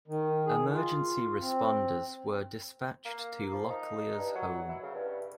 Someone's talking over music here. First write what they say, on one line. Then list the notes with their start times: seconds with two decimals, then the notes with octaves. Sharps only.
Emergency responders were dispatched to Locklear's home.
0.08 D#3
0.46 G#4
0.73 F4
1.41 C4
3.05 A#3
3.53 F3
3.70 D#4
4.17 G2
4.35 F#3
4.68 E4
4.83 C#3
4.94 G2